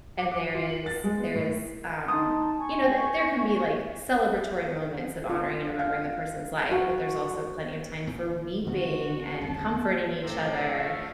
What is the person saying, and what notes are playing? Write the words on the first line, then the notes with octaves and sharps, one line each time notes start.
and there is there is, um, you know, th there can be, like, celebratory moments of honoring and remembering the person's life, but there's also plenty of time for weeping and comforting each other.
D6
D6
F4
F#7
A6
G#3
B3
A2
D#4 A5 C6 D#6
G#5 C#6
G5
F4
F5
F#4
A#2 D#3 A#3
D3 B3 C#4 F#4
G1 D#2 A5
A2 C3 F3 C4
F3 A3